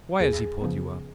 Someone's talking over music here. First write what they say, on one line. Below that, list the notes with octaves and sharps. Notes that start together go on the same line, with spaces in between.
Why has he pulled you up?
D#2 G#4
C#3 F3 B3